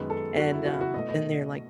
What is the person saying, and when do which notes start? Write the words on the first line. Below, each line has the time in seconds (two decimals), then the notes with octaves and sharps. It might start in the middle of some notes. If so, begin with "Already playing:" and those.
and, um, then they're like
Already playing: F#2 D#3 G#3 B3 B4
0.10 A4
0.38 F#4
0.52 E4
0.66 F#4
0.74 E4
0.81 F#4
0.94 B2 A3 D#5
1.09 D#5